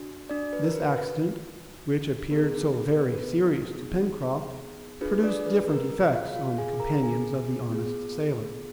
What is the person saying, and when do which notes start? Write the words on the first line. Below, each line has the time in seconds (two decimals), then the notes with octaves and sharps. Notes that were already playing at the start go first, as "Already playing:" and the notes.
This accident, which appeared so very serious to Pencroft, produced different effects on the companions of the honest sailor.
Already playing: D4 F#4
0.29 D4 D5
0.53 B4
0.64 A#4
0.75 B4
2.31 B3 D#4 G#4 A#4
2.99 B4
5.01 D4 F4 G#4 B4
5.23 D4 D5
5.46 B4
5.68 A#4
6.13 F4 F5
6.36 F4 F5
6.58 G#4 G#5
6.80 A#4 A#5
7.03 G#4 G#5
7.70 B3 F4 G#4